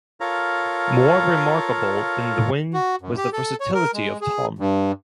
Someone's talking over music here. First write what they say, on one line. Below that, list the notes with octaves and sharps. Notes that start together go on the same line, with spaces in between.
More remarkable than the win was the versatility of Thom.
F4 A4 A#4 C#5 F5 A#5
F#4
F#2
G4
A4
C#5
A#4
G#3
G#4
G2